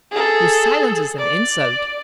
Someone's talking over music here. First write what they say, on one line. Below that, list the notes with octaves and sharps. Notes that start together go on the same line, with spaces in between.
"Your silence is an insult!"
G#4 A4
D5